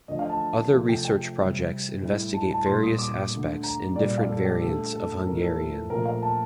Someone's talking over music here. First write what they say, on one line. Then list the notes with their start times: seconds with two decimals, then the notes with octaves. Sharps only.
Other research projects investigate various aspects and different variants of Hungarian.
0.08 D3 F3 A3 D#5
0.19 F5
0.29 A5
0.73 C3 F3 A3
0.89 G5
1.05 G5
1.38 C3 G3
2.02 A2 G3
2.34 A5
2.51 A5
2.66 A#2 G3 C6
2.83 D#6
2.99 D6
3.32 D3 A3
3.63 A#5
3.96 A#2 G3 D5
4.18 F5
4.29 A4
4.44 G4
4.61 D3 A3 A4
4.93 A4
5.26 A2 F3 A3 A#4
5.42 A4
5.58 A4
5.90 A#2 F3 A3 A#4
6.06 F5
6.23 A5